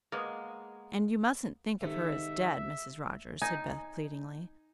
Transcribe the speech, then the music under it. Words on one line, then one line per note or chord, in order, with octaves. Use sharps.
"And you mustn't think of her as dead, Mrs. Rogers," said Beth, pleadingly.
G#3 A#3 B3
G#2 C3 D#3 A3 D#4 E5
D#4 G#5